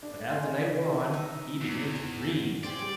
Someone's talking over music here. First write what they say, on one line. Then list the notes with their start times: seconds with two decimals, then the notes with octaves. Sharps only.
But as the night wore on he began to freeze.
0.03 D4
0.30 D#5 G#5 C6 F6 A6
1.14 D#4 E5
1.61 E2
2.63 G#4 C5 D5 G5
2.79 G3